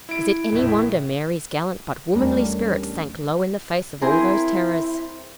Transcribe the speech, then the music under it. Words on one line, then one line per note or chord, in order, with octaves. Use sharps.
Is it any wonder Mary's gallant but womanly spirit sank low in the face of all those terrors?
E4 D7
A#1 A2 E5
E2 G3 A3 C#4 D4 A#4
C4 E4 G#4 A#4